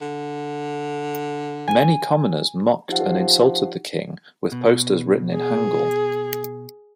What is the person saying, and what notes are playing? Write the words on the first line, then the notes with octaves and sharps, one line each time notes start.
Many commoners mocked and insulted the king with posters written in hangul.
D3
G#5
F3 D#4 G4 F#5
B2
G#4